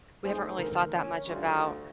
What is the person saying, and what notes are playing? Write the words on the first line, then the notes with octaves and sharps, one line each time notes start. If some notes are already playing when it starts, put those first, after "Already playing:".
We haven't really thought that much about
A3 D#4 G#4 C5
D3 E3 A#4
C#4
D2 G3 F4